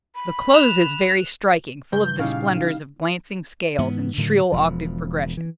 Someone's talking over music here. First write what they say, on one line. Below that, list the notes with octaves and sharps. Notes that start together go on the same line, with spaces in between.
The close is very striking, full of the splendors of glancing scales and shrill octave progressions.
B5
F#6 E7 F7
G2 C#3 G6
A#2 C#3 G3 D#4 E4 F5
G#2 E3 B3
A2 D3 D#3 F#3
E1 F3
E3